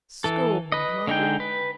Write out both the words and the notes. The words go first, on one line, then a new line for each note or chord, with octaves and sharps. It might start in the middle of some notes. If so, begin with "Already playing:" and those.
'Scorned, Margaret!
E3 A4
B4 D#5
D3 G#3 D#4 G5
B4